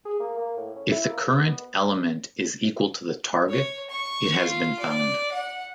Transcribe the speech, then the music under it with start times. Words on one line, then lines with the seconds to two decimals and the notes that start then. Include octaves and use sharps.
If the current element is equal to the target, it has been found.
0.05 G#4
0.20 A#3
0.37 A#3
0.57 A2
0.75 C#4
0.91 E4
1.10 A#3
1.22 E2
1.36 B2
1.47 B3
3.49 C#5
3.90 C#6
4.37 F4
4.79 D5
5.32 F#5